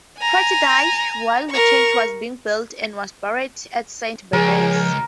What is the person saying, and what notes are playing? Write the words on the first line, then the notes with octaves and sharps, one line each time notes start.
Pratt died while the church was being built and was buried at Saint Bede's.
G#5 A#5
A#4 C#6
C#2 F3 G#4 A#4